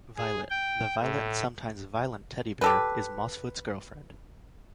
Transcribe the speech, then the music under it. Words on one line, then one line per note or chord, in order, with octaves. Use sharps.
Violet, the violet and sometimes "violent" teddy bear, is Mossfoot's girlfriend.
G#4
G5
A2
G4 A4 B4